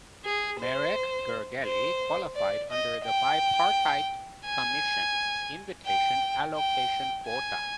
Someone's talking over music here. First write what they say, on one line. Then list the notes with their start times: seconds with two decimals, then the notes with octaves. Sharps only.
Marek Gergely qualified under the bipartite commission invitation allocation quota.
0.25 G#4
0.59 C5
1.65 C5
2.35 D5
2.70 D#5
3.05 G5
4.45 G#5
5.85 G5
6.56 G5
7.26 G#5